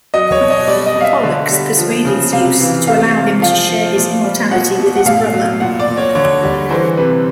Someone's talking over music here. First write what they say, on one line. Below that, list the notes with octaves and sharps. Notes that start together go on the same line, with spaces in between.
Pollux persuaded Zeus to allow him to share his immortality with his brother.
F#3 D#5
C#5
B2
D#5
G3 D5
D#5
B2
F5
E5
D3
G3
F3
C#3
C3 F5
E3
C3 F5
C3
F3 F5
F3
A#2
G3
B2 F#5
B2
F#5
A2 F5
F#3
A#2 F#5
D5
A#2
C#5
D3 C#5
G3
E3 C5
C3 B4